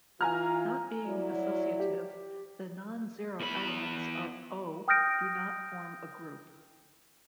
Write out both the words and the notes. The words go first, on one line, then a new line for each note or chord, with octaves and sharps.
Not being associative, the nonzero elements of O do not form a group.
E3 F4 G#5 A#5 F6
F#3 E4 D5
G4
E2 B5
G5 D#6 F6 G6 A#6 D7